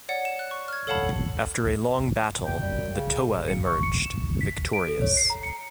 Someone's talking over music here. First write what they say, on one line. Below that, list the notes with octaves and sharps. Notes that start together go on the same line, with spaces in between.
After a long battle, the Toa emerged, victorious.
C#5 D5 F#5
E7
F#6
C#6
F6 G#6
A4 C#5 F5 F#5 A5 B5
F#1 F#2 G5
G3
C#3
C#7
C#6
C#7
E7
B6
D7
A4
C#5
C7
A#5
C#7